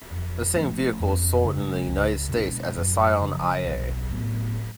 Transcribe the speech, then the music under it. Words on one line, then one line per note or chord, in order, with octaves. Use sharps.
The same vehicle is sold in the United States as the Scion iA.
F2
F3 A3 C#4
F2
C#3 G#3 D4
C#2
B2 G#3 D4
F#2
C#3 F3
B1
A2 F#3 B3